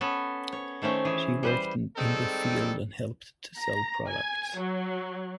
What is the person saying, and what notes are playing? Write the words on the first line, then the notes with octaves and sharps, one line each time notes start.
She worked in the field and helped to sell products.
B3 C#4 A4 B4
C#5
D#3 A3 C4 C#4
E3 G#4
G3 B4 C5
D#3 G3 G#3 C4 A4
A#5
G#5
F#3